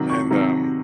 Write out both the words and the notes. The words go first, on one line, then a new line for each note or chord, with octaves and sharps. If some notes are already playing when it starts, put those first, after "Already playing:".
and, um,
Already playing: C3 D#3 F#3
C#6
C3 D#3 F#3